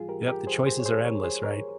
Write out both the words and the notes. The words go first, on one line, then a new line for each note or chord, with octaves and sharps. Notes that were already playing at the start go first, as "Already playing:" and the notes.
Yep. The choices are endless, right?
Already playing: G#2 E3 G3 F4 G#4
G4 A#4
G4 A#4
G#4 C5
G#4 C5
C#5
G#4 C5
A#4 C#5
G#4 C5
A#4 C#5